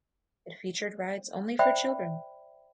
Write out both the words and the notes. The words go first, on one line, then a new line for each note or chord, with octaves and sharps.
It featured rides only for children.
C5 D5 E5 G5 B5 D#6